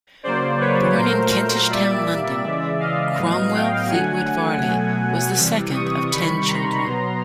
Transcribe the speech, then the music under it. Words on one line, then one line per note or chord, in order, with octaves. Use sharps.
Born in Kentish Town, London, Cromwell Fleetwood Varley was the second of ten children.
C#3 F#3 A#3 C5 D5
B4 C#5
A#2 F#3 A3 A#4 C5
A#2 G3 A#3 D5 E5
C#3 E3 G#3 D5 E5
D#5 F5
A2 F#3 B3
F5 G5
D3 F#3 A3 F#5 G#5
B2 F#3 A3
C3 E3 G3
C#6 D#6
C3 D#3 G3 B5 C#6
A#5 C6
B2 F#3 B3